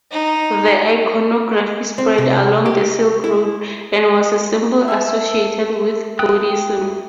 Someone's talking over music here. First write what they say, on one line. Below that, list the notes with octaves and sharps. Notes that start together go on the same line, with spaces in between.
The iconography spread along the Silk Road, and was a symbol associated with Buddhism.
D#4
C4
C3
G4
E4
E5 A5
G5 D#6 F#6